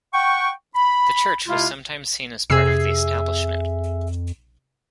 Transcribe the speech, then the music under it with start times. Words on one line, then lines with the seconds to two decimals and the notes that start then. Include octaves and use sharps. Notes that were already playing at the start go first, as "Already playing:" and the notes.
The church was sometimes seen as part of the establishment.
0.13 F#5 G5 C#6
0.74 B5
1.47 C3 G#3 E4 F4
2.50 F2 C3 G#4 E5 E6 C7